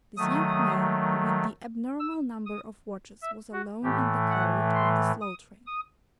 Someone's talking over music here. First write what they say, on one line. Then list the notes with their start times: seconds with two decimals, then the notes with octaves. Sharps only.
This young man with the abnormal number of watches was alone in the carriage of the slow train.
0.17 D#3 F#3 A3 D#6
2.00 E6
2.46 D#6
3.22 E5
3.52 F#4
3.83 A2 E3 A3 G4
4.30 F#5
4.75 C6
5.22 D#6
5.67 D#6